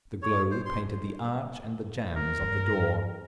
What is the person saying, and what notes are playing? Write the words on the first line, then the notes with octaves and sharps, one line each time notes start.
The glow painted the arch and the jambs of the door.
C#5
C5
C6
A#4
G2